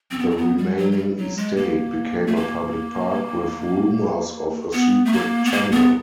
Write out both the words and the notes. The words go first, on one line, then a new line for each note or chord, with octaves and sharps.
The remaining estate became a public park, with rumours of a secret tunnel.
C4
B3
C4
B3
G3
F#3
F#3
G3
F#3
G#3
A#3
A3
A#3
B3
A3
A#3
B3
A#3
B3